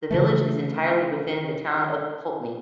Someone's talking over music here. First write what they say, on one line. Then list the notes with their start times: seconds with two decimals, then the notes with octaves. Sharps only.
The village is entirely within the town of Poultney.
0.11 C#3 E3 A3